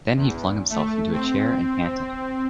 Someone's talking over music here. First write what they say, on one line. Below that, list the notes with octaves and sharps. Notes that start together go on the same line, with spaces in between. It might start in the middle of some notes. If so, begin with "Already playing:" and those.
Then he flung himself into a chair and panted.
E2
A3
C4